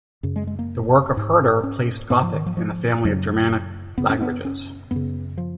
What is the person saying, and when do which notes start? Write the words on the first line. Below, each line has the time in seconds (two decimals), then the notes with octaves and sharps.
The work of Herder placed Gothic in the family of Germanic languages.
0.23 F#2 C#3
0.36 G#3
0.47 G#3
0.59 A#3
1.17 G#2
1.63 C#4
2.10 G#2 B3
2.23 F3
2.34 D#3
2.46 F3
2.57 F3
3.05 F#2 C#3 F#3
3.98 F#2 C#3 B3
4.10 C#4
4.21 B3
4.45 C#4
4.91 F#2 C#3 B3
5.38 F3